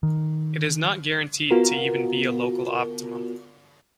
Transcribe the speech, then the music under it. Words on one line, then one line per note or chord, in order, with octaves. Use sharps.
It is not guaranteed to even be a local optimum.
D#3
B3 F4 F#4 A#4